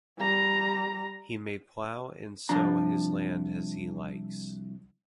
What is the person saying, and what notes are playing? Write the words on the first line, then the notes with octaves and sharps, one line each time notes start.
He may plough and sow his land as he likes.
G3 A#5
C2 F3 D4 A#5